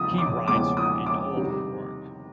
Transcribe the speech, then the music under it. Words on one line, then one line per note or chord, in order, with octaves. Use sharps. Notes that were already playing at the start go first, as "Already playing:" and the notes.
He rides her in all her work.
Already playing: E2 C#3 F3 D#6
D6
E2 C#3 F3 D6
D#6
D6
C3 D#3 G3